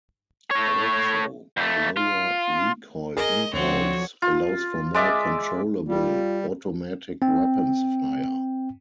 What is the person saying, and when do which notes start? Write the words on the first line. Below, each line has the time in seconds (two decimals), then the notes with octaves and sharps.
Also, a lower recoil impulse, allows for more controllable automatic weapons fire.
0.51 A3 C#5
1.57 F2 A3
1.97 F4
3.17 G#4 A#4 D#5
3.53 D2 D3 F3 C4 F#4 C#5
4.22 F4
4.94 G#3 D5 E5
5.88 G3 F4
7.22 C4 G5